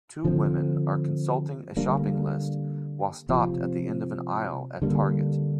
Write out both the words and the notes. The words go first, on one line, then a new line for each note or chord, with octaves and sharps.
Two women are consulting a shopping list while stopped at the end of an aisle at Target.
D3 F3 C4
D3 G3 A#3 D4
C3 F3 C4
D3 G3 A#3